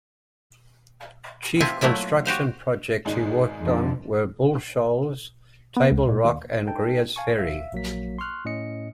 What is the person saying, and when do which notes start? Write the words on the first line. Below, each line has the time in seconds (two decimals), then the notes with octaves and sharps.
Chief construction projects he worked on were Bull Shoals, Table Rock and Greers Ferry.
1.61 C4 F4 E5 G#5 A5
1.81 F#3 A3 A#3 E4 F4
2.25 F#4 G4 C5 F5
3.05 G#1 G#2 G#3
3.61 F2 D3
5.77 B3
5.92 C#2
6.09 A#2
6.24 D#2
6.66 D#4 A4 G5 A5
7.16 F5 G#5 A5 C#6
7.39 E5 F5
7.72 A#1 F#3 A#3 B6
8.19 C6 C#6 F6 F#6
8.45 A2 C#4 D#5 C#7